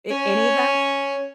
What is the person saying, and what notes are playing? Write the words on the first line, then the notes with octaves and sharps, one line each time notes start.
A any of that?
C#4